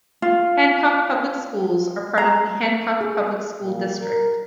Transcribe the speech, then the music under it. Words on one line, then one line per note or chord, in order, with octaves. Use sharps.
Hancock Public Schools are part of the Hancock Public School District.
F4
A#5
G#4
A#2
A#4